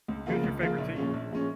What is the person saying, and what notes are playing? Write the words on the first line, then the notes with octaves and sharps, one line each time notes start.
Who's your favorite team?
C#2
C#3 F3 A#3 F4
C#2
C#3 F3 A#3 F4
A#1
A#2 F3 G#3 C#4
A#1
A#2 F3 G#3 C#4